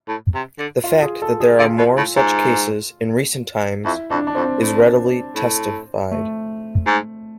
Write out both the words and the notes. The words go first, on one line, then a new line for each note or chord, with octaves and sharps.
The fact that there are more such cases in recent times is reliably testified.
A2
C3
D3
F4
G#4
A4
G#4
D3 F4
B2
A2
G#2
F2 E4
F2 D4
D4
F2 C4
A2
A2
A3
G#2